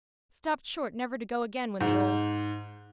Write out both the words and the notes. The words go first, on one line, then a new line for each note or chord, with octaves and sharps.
Stopped short never to go again when the old.
G#2